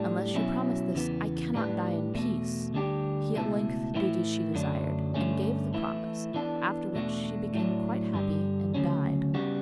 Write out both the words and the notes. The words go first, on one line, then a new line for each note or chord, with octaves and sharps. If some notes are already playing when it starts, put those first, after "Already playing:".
'Unless you promise this I cannot die in peace,' he at length did as she desired, and gave the promise, after which she became quite happy and died.
Already playing: A2 G3 D4 A4
B2 F#3 C#4 E4
E2 C#3 E3 B3
A2 G3 D4 G4 B4
E2 B2 A3
D2 D3 G3 D4 G4
C#2 B2 A3 E4 A4
A2 E3 A3 E4
F#2 D3 F#3 A3 D4
G2 D3 A3 C#4
E3 A3 E4
E3 B3 D4 A4
E2 B2 A3 D4 F#4
A2 F#3 A3 D4
G2 D3 G3
D2 C#3 F#3 C#4
C#3 G3 B3 F#4